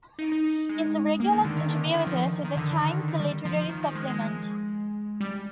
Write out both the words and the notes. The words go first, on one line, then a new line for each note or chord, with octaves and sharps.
He is a regular contributor to the "Times Literary Supplement".
D#4
D#4
D#4
G#3
A#3
D#3
D3
D#3
D3
D#3
F3
D#3
D3
D3
D#3
D#3
G3
F3
D#3
F3
G#3
G#3
G3